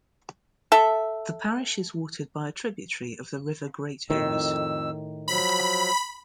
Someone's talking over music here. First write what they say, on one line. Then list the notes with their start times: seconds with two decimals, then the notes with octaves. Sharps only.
The parish is watered by a tributary of the River Great Ouse.
0.72 A4 E5
4.10 F2 A2 D#3 E6
5.28 F3 F#3 B5